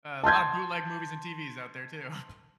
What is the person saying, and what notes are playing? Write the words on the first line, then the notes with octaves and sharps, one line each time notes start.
a lotta bootleg movies and TVs out there too.
A5 C6 G6 G#6